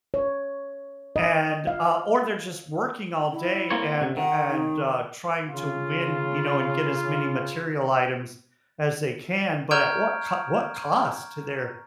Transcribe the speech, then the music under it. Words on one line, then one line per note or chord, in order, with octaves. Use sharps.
and, uh, or they're, just, working all day and and, uh, trying to win, you know, and get as many material items as they can, but, at what c what cost to their
C#5
D#5
F5
E4
A#3 C4 C#5
C3
D#3 F#5
D#4
C#3 F4
A#5 C#6 F6 G6 G#6 D7